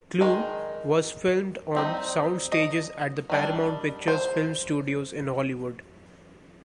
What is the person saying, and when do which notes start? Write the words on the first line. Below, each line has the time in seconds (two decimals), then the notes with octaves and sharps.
"Clue" was filmed on sound stages at the Paramount Pictures film studios in Hollywood.
0.21 D#3 G#3
1.75 G3 C4 D#4
2.52 D#5
3.30 D#3 G3 D4
4.08 C5